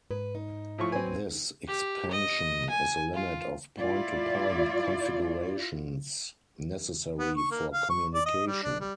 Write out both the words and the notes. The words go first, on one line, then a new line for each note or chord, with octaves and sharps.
This expansion is the limit of point-to-point configurations necessary for communication.
G#2 B4
D#4
A2 F3 C#6
F#3 C4 B4 G#5
G4
D#5
G#5
F4
E4 F4 D5
B3
C#6
A#3
F5
C#6
D5
D#5
G3
D4
G3